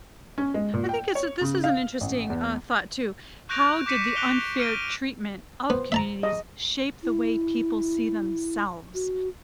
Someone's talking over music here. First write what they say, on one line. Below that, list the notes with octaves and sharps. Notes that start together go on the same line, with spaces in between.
I think it's a this is an interesting, uh, thought, too- how did the unfair treatment of communities shape the way people see themselves?
C#4
G#3
A#2
G5
C#5
C#3
F5
A1
E2
C#6 F#6 G6 A#6 D7 F7
D6 G6 B6 C#7 D#7 E7
F#6 A#6 D7 F7 G7
F6 D7 D#7 G7
B3 C5
E5 A5 A#5
D#5
E4
F#4